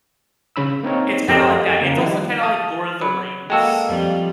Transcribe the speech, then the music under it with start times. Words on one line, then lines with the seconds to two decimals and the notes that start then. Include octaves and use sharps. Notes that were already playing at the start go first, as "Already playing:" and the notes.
It's kinda like that. It's also kinda, like, Lord of the Rings.
0.56 C#3 C#4 B5 E6
0.83 A#3 C4 D#4 A#4 C#5
1.28 F2 G4 A4 A#4 D#5
1.81 C#3 A#3
1.97 D#3 F3 G3 D#4 E4
2.39 F5 A5 D#6
3.01 F#3 B5
3.50 G#3 A#3 F#4 A4 G5 A5 E6
3.88 F2 F3 G3